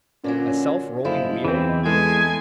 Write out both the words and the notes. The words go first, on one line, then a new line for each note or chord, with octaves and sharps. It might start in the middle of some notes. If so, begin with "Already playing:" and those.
A self-rolling wheel?
A#2 D3 F#3 C#4
F#1 F3 G#3 E4
E2 E3 C4
G#3 E4 A4 G#5